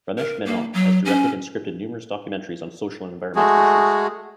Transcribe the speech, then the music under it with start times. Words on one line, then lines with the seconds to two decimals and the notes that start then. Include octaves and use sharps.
Ramesh Menon has directed and scripted numerous documentaries on social and environmental issues.
0.19 A#4
0.46 A#3
0.74 F#3
1.05 C#4
3.36 G#3 A3 F#4 G#4